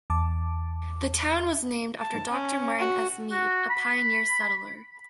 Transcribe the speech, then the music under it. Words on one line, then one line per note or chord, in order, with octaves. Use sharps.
The town was named after Doctor Martin S. Mead, a pioneer settler.
E2 A5 D6
A5
C#4
F#4
F#4
B5